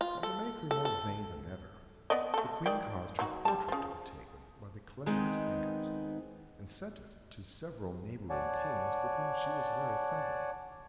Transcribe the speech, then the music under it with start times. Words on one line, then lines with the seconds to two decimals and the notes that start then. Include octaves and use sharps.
And to make her more vain than ever the Queen caused her portrait to be taken by the cleverest painters and sent it to several neighboring kings with whom she was very friendly.
0.01 F4
0.23 A4
0.71 A4
0.85 A4
2.10 B3 D5 D#5
2.34 A3 A4
2.66 D#3 D5 G5
3.19 F#3 D#4 F#4
3.45 G3 A5
3.68 C#3 F3
5.06 D#3 G#3 B3 C4 D#4
8.30 C#5 D5 F#5 G#5 A5